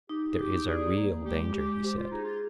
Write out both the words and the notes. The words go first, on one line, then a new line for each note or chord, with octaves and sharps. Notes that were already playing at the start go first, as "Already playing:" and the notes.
There is a real danger, he said.
D#4 G4
G#4
D#4 G4
G#4 D5
A#3
G#3 G4
G#3 G4
G4 C5
F4
D#4 G#4
F4